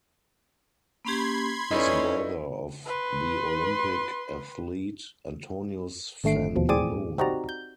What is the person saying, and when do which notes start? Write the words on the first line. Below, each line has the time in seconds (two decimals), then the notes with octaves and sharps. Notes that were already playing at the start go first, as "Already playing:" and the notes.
He is the brother of the Olympic athlete Antonius van Loon.
1.05 A#3 C#4 G4 B5 C6 G#6
1.71 C#4 D#4 E4 A4 B4 D5
2.86 B4 C6
6.24 G#1 D3 A3 C7 D7
6.56 D#2 B2 F3
6.69 A2 C4 G#4 D5 D6 D#7
7.18 C4 D#4 F#4 G4 D5 A#5
7.49 G6